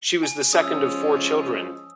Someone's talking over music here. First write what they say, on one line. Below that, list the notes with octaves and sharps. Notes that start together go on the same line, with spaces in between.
She was the second of four children.
G#5
F3 G#3 C#4 D#6 E6